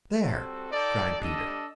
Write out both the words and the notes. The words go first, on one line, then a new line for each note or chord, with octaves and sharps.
"There!" cried Peter.
G3 C4 F#4 A4
D#4 A4 D5 G5
G3 D4 A4 D#5